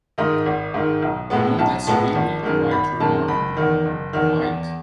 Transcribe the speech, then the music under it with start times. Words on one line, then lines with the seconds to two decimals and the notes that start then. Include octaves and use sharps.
You know that’s really quite remarkable — quite.
0.18 G#2 D#3 D#5
0.46 G#1
0.74 G#2 D#3
1.02 B1
1.30 A2 G#3 B3
1.59 B1 A5
1.87 A2 G#3 B3 A5
2.15 G#1
2.43 F#2 D#3 G#3
2.71 G#1 B5
3.00 F#2 D#3 G#3 A5
3.28 F#1 B5
3.57 E2 D#3
3.85 F#1
4.13 E2 D#3
4.42 E2